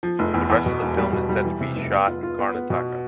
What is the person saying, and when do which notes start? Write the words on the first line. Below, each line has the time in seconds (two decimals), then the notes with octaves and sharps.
The rest of the film is set to be shot in Karnataka.
0.03 F3
0.19 F1
0.34 E2
0.50 E2
0.66 B2
0.82 E1
0.97 G3
1.13 B2
1.29 G3
1.45 E3
1.61 C3
1.76 F1
1.91 B3
2.08 F4
2.23 F4
2.39 B3
2.55 B3
2.70 B2